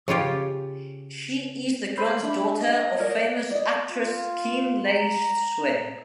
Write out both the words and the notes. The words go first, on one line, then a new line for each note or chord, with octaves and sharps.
She is the granddaughter of famous actress Khin Lay Swe.
C#3 C#4 F4 G4
A4 C5 C#5 B5
D4 E5
D#5
A#4 C#5 D5
D5 D#5
F4
A#5